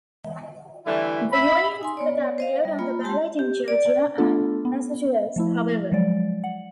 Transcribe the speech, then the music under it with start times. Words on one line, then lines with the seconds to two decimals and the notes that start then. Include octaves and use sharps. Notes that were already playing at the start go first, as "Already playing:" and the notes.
The Union ticket appeared on the ballot in Georgia and Massachusetts, however.
0.86 D3 E3 G3 A3 E4
1.31 E5 B5
1.81 D#4 G#5 C6
1.97 B3 C#5 D5
2.38 C5 D#5 F5
2.65 G3
2.79 A#3 F4 B5
3.03 G#3 G4 A5 C6
3.39 G4
3.68 D5
4.18 A3 B3 D4 F4 A4
4.65 B3
5.36 F3 A3 E4
5.92 F3 F#3 G#3 D5
6.44 F#5